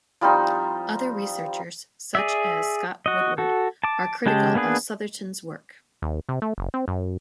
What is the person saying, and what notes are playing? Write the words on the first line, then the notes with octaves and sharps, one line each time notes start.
Other researchers such as Scott Woodward are critical of Southerton's work.
F3 G3 C4 D#4
G#4 D5 E5
F#4 D#5
F#4 A4
A5 D6
C#3 G#3 G4 A5
A#3 B3 D4 G#4 B4
D#2
C3
A3
F#1
C4
F#2